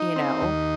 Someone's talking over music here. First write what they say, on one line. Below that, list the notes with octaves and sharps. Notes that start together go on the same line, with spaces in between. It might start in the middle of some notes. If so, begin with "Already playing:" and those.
You know?
Already playing: D#4
C4
D#2